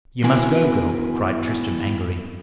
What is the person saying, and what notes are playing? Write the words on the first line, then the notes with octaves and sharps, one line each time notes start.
"You must go, girl," cried Tristram angrily.
D#3 B3 E4 F#4 A#4 G#5